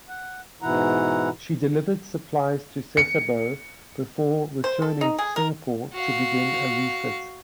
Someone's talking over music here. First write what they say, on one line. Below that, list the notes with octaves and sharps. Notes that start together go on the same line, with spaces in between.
She delivered supplies to Sasebo before returning to Singapore to begin a refit.
F#5
G#2 B2 E3 E4 F#5 A#5
C#7
C5
A4
D#4
G#4
A#4
F#4 F5